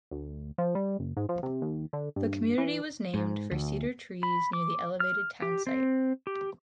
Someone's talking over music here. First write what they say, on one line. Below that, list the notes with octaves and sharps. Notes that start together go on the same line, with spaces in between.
The community was named for cedar trees near the elevated town site.
D2
F3
G3
F#1
G#2
F3
C3
D#2
D3
G2
E3
G#2
D2
B5
D6
F6
G4
C4
G4